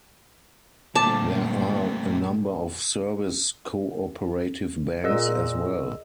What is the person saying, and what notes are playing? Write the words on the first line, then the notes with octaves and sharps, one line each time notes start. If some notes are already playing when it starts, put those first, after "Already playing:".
There are a number of Service Co-operative Banks as well.
A#2 D3 G3 A3 C4 A5 D6 E7
A#2 G#4 A#4 D5 D#5 E6